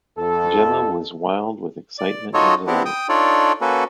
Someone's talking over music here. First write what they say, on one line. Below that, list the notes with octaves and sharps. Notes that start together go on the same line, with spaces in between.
Jemma was wild with excitement and delight.
F2 A4
D5
D#4 F4 F#4 A4 C#5 D#5
B3 C4 D4 E4 G4
G5 D#6
D4 D#4 F4 A4 C#5 D5
A#3 C#4 F#4 A4 B4